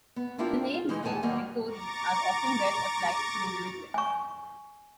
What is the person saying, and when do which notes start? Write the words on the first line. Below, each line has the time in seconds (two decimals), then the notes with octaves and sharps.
The names whig and tory are often well applied to individuals.
0.16 B3
0.38 D4 E4 F4 G4 A#4
0.74 F4
0.89 E3 G#3 D#4
1.03 E2 A2 A3 B3 G#5 A5
1.23 D#2 F#3 G3 A#3 A#4 F#5
1.65 A#5 C#6 D6 A6
3.94 G#5 C#6